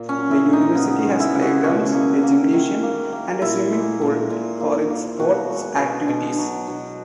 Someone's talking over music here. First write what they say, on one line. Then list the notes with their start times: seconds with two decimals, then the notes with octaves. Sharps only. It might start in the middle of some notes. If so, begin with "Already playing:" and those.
The University has playgrounds, a gymnasium and a swimming pool for its sports activities.
Already playing: A#2
0.09 C#4
0.16 F#3
0.31 E4
0.46 A#2
0.53 D#4
0.75 C#3 B3
1.05 G#3
1.20 E4
1.34 C#3
1.42 F#4
1.64 B2 C#4
1.94 A#3
2.23 A#3
2.53 D#3
2.83 A#3
3.12 A#3
3.42 A#2 E4
3.71 G#3
4.01 A#2
4.30 A#2
4.60 A#3
4.90 A#3
5.19 B2 F#4
5.49 G#3
5.79 B2
6.08 B2
6.38 F#3
6.68 B2